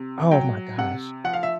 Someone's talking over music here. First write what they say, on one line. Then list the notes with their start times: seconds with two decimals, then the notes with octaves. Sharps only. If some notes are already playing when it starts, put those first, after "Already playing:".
Oh my gosh.
Already playing: C3
0.31 F#3 G5
0.78 C3 F#5
1.24 F3 F#5
1.33 F5
1.43 E5